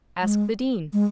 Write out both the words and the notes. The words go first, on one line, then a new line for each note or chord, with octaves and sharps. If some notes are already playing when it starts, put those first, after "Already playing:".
Ask the Dean.
G#3
G#3